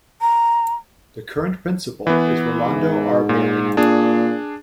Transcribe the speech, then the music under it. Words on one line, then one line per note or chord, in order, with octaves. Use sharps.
The current principal is Rolando R. Bailey.
A#5
E3 B3
G#2
A#2
A#2 D4 G#4